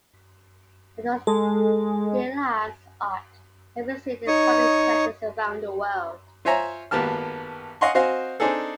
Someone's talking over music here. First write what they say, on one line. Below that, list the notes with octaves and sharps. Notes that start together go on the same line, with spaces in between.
Oton Gliha's art can be seen in public collections around the world.
G#3 A4
D#4 C#5 C#6 D#6
F4 C5 C#5 E5 G#5 A#5
G#1 A#3 B3 G4 A5 F6
D#5 F5 F#5 G#5 C6 C#6
C4 F#4 C5 D#5 F5 G#5
C4 D4 D#4 G#4 A4